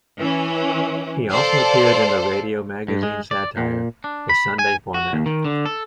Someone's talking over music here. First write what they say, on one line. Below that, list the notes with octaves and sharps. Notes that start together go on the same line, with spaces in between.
He also appeared in the radio magazine satire "The Sunday Format".
E3 C#4
A4 C5 D5 F5
G2
G#3
D5
A#2
D4
B5
G#5
F#4
D#2
D#3
D3
A4